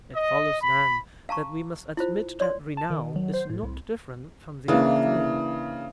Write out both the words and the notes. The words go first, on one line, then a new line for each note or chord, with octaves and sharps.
'It follows, then, that we must admit that renown is not different from the other three.'
D#5
B5
F5 A5 A#5 C#6
E4 F4 C5
C#5 D5 C6
A5
D#3
F#3
C5
A2
C2
C#3 E3 A#3 D4